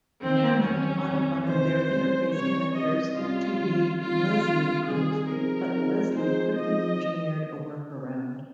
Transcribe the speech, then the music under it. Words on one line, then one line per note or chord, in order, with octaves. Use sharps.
Hammond modified their interface connectors to be "Leslie-proof", but Leslie quickly engineered a workaround.
F2 C3 D#3 C4
F2 C3 D#3 C#4
F2 C3 D#3
F2 C3 D#3 C5
C3 G3 C#4
C3 G3 C#4 C#5
C3 G3 C#4 D#5
C3 G3 C#4 F4
C3 D#3 G3
C3 D#3 G3 F4
C3 D#3 G3
C3 D#3 G3 G#4
F3 C4 D#4 G#4 A#4
F3 C4 D#4 G#4
F3 C4 D#4 G#4 C5
F3 C4 D#4 G#4 D#5